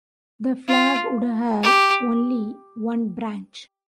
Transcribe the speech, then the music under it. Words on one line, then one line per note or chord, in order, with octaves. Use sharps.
The flag would have only one branch.
F4
G4